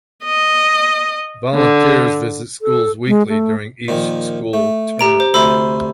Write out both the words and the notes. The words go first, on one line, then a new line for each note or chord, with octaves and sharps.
Volunteers visit schools weekly during each school term.
D#5
D3
A4
G#3
A3
A#2 D#3 F3
A3
G4 A#5 D7
C5
D2 C3 C5 B5 C6 E6